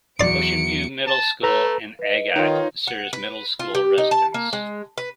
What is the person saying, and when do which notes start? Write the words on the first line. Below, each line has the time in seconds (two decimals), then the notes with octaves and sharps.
Oceanview Middle School in Agat serves middle school residents.
0.20 E2 F#3 D5 C6 C#7 D7
1.07 A5
1.43 A3 A4 B4 A#5
1.99 B4 D#5
2.36 D#3 D#4 F4 C#5
2.87 F#5
3.13 B4
3.59 F4
3.75 G4
3.98 D#4
4.11 A5
4.34 A#3
4.53 G#3
4.98 B4